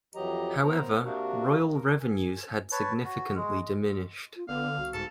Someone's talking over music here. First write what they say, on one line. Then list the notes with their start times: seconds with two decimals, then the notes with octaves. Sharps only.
However, royal revenues had significantly diminished.
0.15 F2 E3 F#3 G4 D#5 A#5
0.64 B3 A#4 C5 A#5
1.04 C3 A#3 D4 F#4 A#4
1.74 A#4
2.01 G#5
2.72 B4 C#5 A5
3.05 F#4
3.36 G#3
4.36 F4
4.48 F#1 D3 B3 F5
4.78 C2 F#4
4.93 G#2 A4